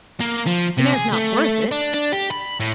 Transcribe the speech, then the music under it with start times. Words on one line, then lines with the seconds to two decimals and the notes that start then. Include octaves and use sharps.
The mare's not worth it.
0.20 A#3
0.46 F3
0.77 C3
0.93 G#4
1.12 A3
1.72 D4
1.94 D4
2.12 G4
2.31 B5
2.60 A2